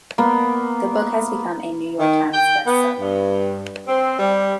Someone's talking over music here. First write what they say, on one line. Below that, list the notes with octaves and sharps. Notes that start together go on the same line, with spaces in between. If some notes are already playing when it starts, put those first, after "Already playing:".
The book has become a "New York Times" bestseller.
A#3 B3
D#3
G5
B3
G2
C4
G3